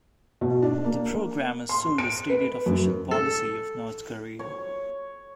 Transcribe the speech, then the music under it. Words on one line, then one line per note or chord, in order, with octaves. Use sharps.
The program is still the stated official policy of North Korea.
B2
D4
A#3
C6
D7
B4
F#2
A4
C#5